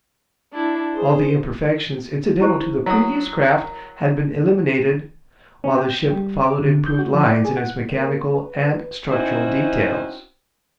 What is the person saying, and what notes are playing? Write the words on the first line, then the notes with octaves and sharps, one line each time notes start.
All the imperfections incidental to the previous craft had been eliminated, while the ship followed improved lines in its mechanical and structural details.
D4 E4
G#4 C5
E4 G4 C5
F#3 D#6
A#4
C#4
G5
G3
D6
D3
G6
F#4
F3
D5
G#4
F#5
A#3
B4
C4 C#4 D#4 E4 F#4 C5